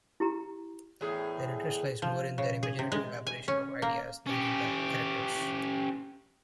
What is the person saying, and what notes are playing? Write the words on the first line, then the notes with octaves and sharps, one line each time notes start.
Their interest lies more in their imaginative elaboration of ideas than in their characters.
E4 G4 A#5
E2 A2 G#4
F3
C#3
G#4
C3
G#3
G#5
C#4
A#3
C#4 G4